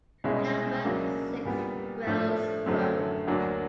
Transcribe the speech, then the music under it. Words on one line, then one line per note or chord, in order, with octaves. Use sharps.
Number six, Greles road.
C2 B2 G#3 C#4 E4
C#2 C#3 F#3 A#3 D4
A#2 G3 B3
A2 F3 A3 D4
F#2 D3 F#3 A3 C4
D2 D3 F#3 A#3 D4